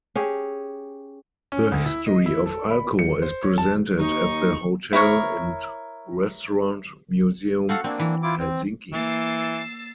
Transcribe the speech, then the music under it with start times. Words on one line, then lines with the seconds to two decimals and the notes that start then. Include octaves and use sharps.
The history of Alko is presented at the Hotel and Restaurant Museum in Helsinki.
0.15 C#4 G4 G#4
1.52 C#4
1.72 D2
1.86 E4
2.07 D#5
2.26 E4
2.46 A4
2.70 B5
2.99 C#7
3.22 C5
3.43 C#5
3.58 A5
4.00 D#2 D#4 C#6
4.93 E4 A#4 C#5 C#6
7.69 C4 F#4 A4 F5 F#5
7.84 A#3 C4 D4
7.99 E3
8.23 E4 F4 D6
8.38 C4
8.93 E3 A#3 E6 A6 C7